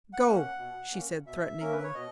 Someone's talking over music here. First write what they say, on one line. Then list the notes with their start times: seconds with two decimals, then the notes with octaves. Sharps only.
"Go!" she said threateningly.
0.13 F#5
0.24 A#3 C#4
0.36 F#5
0.59 B2
0.92 A#3 C#4
1.26 B2 E5
1.60 A#3 C#4 A#4
1.72 B4
1.83 C#5
1.95 B2 D#5